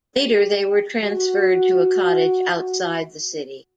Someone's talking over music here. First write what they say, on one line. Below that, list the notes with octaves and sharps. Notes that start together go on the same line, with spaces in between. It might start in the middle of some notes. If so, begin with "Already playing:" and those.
Later they were transferred to a cottage outside the city.
G4
F#4